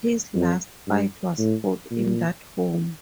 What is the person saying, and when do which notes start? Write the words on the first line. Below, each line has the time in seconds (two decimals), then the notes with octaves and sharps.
His last fight was fought in that home.
0.35 F2
0.87 G2
1.39 A2
1.91 A#2